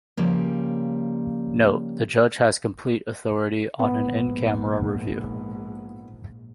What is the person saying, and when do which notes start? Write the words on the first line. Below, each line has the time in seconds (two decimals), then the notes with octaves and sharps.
Note: The judge has complete authority on an in-camera review.
0.17 C#3 F3 G3 A#3
3.79 A#1 G#2 B3